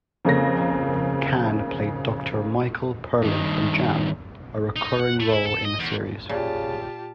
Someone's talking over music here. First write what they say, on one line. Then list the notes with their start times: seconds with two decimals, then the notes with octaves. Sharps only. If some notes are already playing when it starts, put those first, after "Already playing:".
Cann played Doctor Michael Perlin from "Jam", a recurring role in the series.
0.25 F2 C#3 A#3 A#6
3.22 G2 D#3
4.76 D#4
5.00 F#5
5.20 A3
5.33 E4
5.46 A4
5.65 D#5
5.79 E2
6.29 A#2 C#3 F4 G4 A5